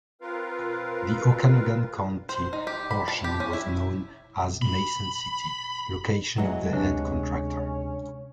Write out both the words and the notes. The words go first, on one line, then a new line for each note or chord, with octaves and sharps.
The Okanogan County portion was known as Mason City, location of the head contractor.
C4 F4 A#4 B4 F5
C5
D#4
G4
B5
A5
G4
C#4
E4
B5
E3 F#3 G#3 F#4 D#5 F#5
D2 C3 C#4 D4